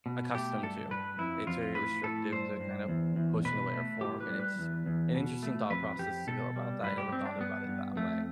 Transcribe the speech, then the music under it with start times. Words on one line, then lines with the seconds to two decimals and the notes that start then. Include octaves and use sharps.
accustomed to. It's very restrictive to kinda push in a way or form, and it's an interesting thought process to go about that, I never thought about it that way.
0.06 B2
0.34 A3 G4
0.63 G2 A4
0.91 G2 B4
1.19 F2 E4
1.47 F2 F4
1.75 A2 B4
2.04 A2 A4
2.32 G2 C5
2.60 G2
2.88 E2
3.16 E2
3.45 B2 B4
3.73 A3
4.01 A2 G4
4.21 B4
4.30 G3
4.40 B4
4.58 E2
4.86 E2
5.15 B2
5.43 A3
5.70 F2 B4
5.99 F2 G4
6.27 B2 A4
6.56 G3
6.84 G2 B4
6.98 G4
7.12 G2 C4
7.25 D4
7.40 G2 B3
7.68 G2
7.96 F2 A3